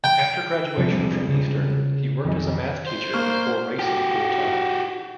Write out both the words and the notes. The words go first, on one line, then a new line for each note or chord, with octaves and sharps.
After graduation from Eastern, he worked as a math teacher before racing full-time.
G5
E1 C2 C3 F3
C#3
B1 F2 D#3
C5
A#3 C#6 F6
F#4 G4